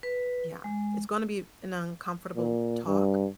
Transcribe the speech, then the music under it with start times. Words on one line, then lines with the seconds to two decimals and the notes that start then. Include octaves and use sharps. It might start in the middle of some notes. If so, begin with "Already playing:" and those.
Yeah, it's gonna be an uncomfortable talk
0.03 B4
0.64 G#3
2.36 A#2
2.86 G2